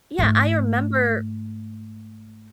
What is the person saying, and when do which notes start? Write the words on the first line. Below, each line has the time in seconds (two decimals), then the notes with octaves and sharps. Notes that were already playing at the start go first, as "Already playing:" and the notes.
Yeah. I remember
0.18 G#2 A3